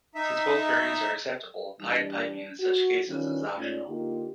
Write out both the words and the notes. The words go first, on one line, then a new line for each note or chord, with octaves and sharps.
Since both variants are acceptable, pied-piping in such cases is optional.
D#4 E5
E3 G3 D4
F#4
D#3 E3 G3 C#4 D4 F4
G#2 A3 C#4 F4 D5
D3 A#3 D#4 F4 G4